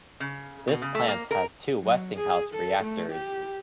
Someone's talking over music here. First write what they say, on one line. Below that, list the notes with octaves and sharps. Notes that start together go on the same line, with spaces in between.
This plant has two Westinghouse reactors.
C#3
B2
C#3
A3
A#3
A#4
F#3
G#4
A4
A3
G4